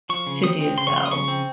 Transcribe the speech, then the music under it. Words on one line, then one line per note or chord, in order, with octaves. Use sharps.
to do so."
F3 C#6
C#3
C4 D#6
C4
C#3 C6
C#6
F3 C6
D#6
C#3 C#6
C4